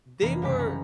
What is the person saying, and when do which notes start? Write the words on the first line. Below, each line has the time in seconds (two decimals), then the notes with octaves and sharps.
they were,
0.22 F1 E3 A#3 D4 A#5 B5
0.42 F#1 C2 G3 G#3 D6 B6
0.59 A#5 B5 C#6